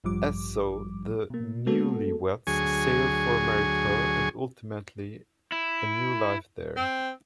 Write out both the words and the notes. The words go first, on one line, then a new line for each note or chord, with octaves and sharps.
And so the newlyweds sailed for America and ultimately a new life there.
A1 G2 F3 G3 D6
B2 A#3
G#3 A#3 B3 F#4 A4
D2 F#3 G#4 G#5 C#6
E4
C4